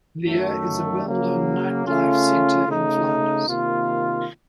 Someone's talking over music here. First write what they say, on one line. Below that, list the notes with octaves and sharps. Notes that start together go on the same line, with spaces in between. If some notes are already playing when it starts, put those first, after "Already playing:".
Lier is a well-known nightlife center in Flanders.
F#2 D#3 F#3 A3
C#3 F#3 A#3
C#3 A3 C#4 F4
C#3 A3 D#4
C3 D#3 A#3 F4